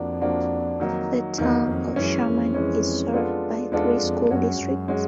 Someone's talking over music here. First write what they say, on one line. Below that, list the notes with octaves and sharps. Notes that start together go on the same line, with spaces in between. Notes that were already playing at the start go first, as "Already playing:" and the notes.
The town of Sherman is served by three school districts.
Already playing: F2 F3 A#3 D4 F#4
F3 A#3 D4 F#4
D#3 F#3 A#3 D#4
E2 D#3 F#3 A#3 D#4
F2
F#2 E3 G#3 C#4
F2
E3 G#3 C#4
G#3 B3 D4 F4 A4
E2 G#3 B3 D4 F4 A4
F2
F#2 G#3 C#4 F#4
F#2
G#3 C#4 F#4